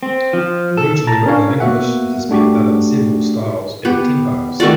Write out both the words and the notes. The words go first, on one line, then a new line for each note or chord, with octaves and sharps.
Originally written in English, it has been done in several styles and tempos.
C4
F3
A4
A5 A#5
C#4 D4 A#4 C#5 F5
A#3 B3 F#4 E5 F#5
A3 D4 F#4 G4
B3 G4
D#3 A3 F#4 D5